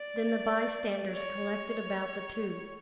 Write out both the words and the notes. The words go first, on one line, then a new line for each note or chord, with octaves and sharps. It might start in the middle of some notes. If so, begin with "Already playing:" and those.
Then the bystanders collected about the two.
Already playing: D5
C#5